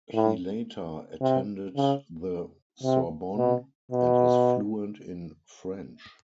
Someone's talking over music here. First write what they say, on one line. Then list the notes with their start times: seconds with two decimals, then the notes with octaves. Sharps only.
He later attended the Sorbonne and is fluent in French.
0.14 A2
1.21 C3
1.76 C#3
2.83 C3
3.38 B2
3.91 B2